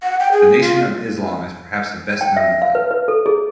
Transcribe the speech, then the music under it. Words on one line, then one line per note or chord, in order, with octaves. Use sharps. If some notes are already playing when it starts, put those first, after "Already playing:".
The Nation of Islam is perhaps the best-known of them.
F#5
G5
G#4
F4
G5
E5
F5
B4
B4
A4
G#4